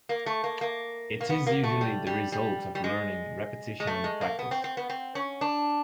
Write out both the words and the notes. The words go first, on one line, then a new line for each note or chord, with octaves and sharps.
It is usually the result of learning, repetition, and practice.
A#3
A3
A#3
A#3
A#3
B3
A#3
A3
G3
G3
G3
G3
G#3
G#3
A3
G#3
A#3
B3
C4
C4
B3
C4
C#4
D4